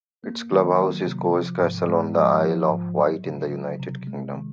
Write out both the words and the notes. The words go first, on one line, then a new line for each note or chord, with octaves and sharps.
Its clubhouse is Cowes Castle on the Isle of Wight in the United Kingdom.
A#3
D#3
F#3
C3
F3
G#2
G#3
F3
F3
G#2
F#3
C#3
F#3
C3
G#3
D#3